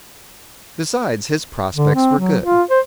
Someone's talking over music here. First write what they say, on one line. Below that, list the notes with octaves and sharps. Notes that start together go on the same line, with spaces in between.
Besides, his prospects were good.
D3
C4
F#3
F4
C5